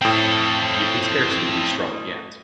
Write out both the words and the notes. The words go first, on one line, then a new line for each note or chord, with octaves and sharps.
You can scarcely be strong yet.
A2 C4 A4 G5